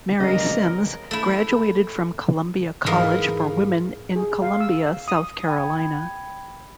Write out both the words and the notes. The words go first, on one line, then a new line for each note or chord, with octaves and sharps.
Mary Simms graduated from Columbia College for Women in Columbia, South Carolina.
C#3 G3 A#3 B3 C#4 D4 A#4 D#5
A3 E4
G#2 E3 A#4 D#5 F5
G#4
F5
E6
D#6
G5 B5 G#6